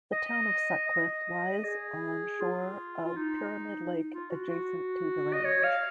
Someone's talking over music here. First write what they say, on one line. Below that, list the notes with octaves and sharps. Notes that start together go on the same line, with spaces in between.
The town of Sutcliffe lies on shore of Pyramid Lake adjacent to the range.
D#5
D#5
G#4
F4
F4
D#4
F4
F#4
F#4
D#5
C#5
F5